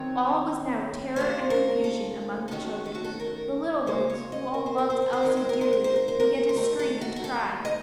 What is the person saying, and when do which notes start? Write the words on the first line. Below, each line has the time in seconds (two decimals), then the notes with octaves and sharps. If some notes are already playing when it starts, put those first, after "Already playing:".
All was now terror and confusion among the children; the little ones, who all loved Elsie dearly, began to scream and cry.
Already playing: D#3 F#3 C4 C#5
1.16 C3 D#3 A3 C#4 F4 C5
1.50 A#4
1.84 A4
2.48 A4
2.51 D#3 A3 C#4 F#4
2.86 A4
2.95 F#4
3.04 A4
3.20 A#4
3.86 C#3 F#3 A#3 F4 C5
4.10 C#5
4.32 D#5
4.54 A#4
4.66 C5
4.78 A#4
4.90 C5
5.02 A#4
5.13 C5
5.21 F#2 D#3 F#3 C4 F4 A#4
5.37 C5
5.49 A#4
5.61 C5
5.73 A#4
5.84 C5
5.96 A#4
6.08 C5
6.20 A#4
6.49 C5
6.56 D#3 A3 D#4 A#4
6.79 A4
7.01 F#4
7.16 A#4
7.24 A4
7.65 D#5